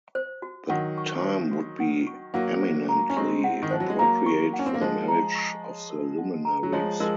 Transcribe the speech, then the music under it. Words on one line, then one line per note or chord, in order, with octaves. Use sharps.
The time would be eminently appropriate for a marriage of the luminaries.
C5
F#4
D#3 F#3 F#5
C#6
C5
F#4
F#5
C#6
F#3 A#3 F#5
C5
A#5
C#4
G#3 C4 C#6
F#5
D#3
F3 C5
F#3
G#3
F#3 A#3 A#5
C#6
F#5
C#4
C4
A#3
F3 G#3 C5
A#5
C#6
C#5
A#4
F#5
A#5
F#3
F3 G#3 C#5
F3 G#3 A#4